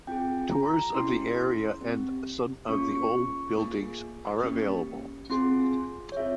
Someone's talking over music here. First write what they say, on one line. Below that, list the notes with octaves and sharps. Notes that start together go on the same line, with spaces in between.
Tours of the area and some of the old buildings are available.
C4 F4 G#4 G5
A#5
C#4 E4 G#4 C6
C4 G4
A#3 C#4 F4 G#4 C#6
C#6
A#3 F4 G#4
A#3 C#4 G4
C4 F4 G#4 C6
C#5
C4 F4 G#4 E5